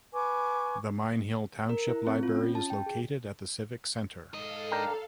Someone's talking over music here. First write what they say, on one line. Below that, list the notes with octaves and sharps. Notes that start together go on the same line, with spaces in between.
The Mine Hill Township Library is located at the Civic Center.
B4 G#5 C#6 D6
A#4
E4
C4
F4
C#4
A5
G5
G#4
G#2 A4 D#5 F5
D4 A#4 G5